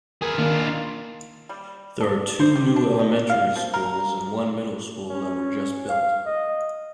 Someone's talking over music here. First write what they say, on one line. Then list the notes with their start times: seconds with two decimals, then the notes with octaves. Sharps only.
There are two new elementary schools and one middle school that were just built.
0.22 G#4 A#4 B4
0.38 D#3 A#3 D4 F4
1.49 G3
2.01 D4
2.40 C5
2.56 G4
2.76 D4
2.99 D#5
3.30 F5
3.56 F3
3.74 A#4
5.10 C#4
5.89 F5
6.26 D#5